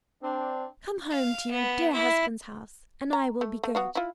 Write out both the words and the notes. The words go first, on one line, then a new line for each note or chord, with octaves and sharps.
"Come home to your dear husband's house, and I will be good."
C4 D4
F5
B3
E4
A#5
A3
A3
B3 F#4 F5
E4 F4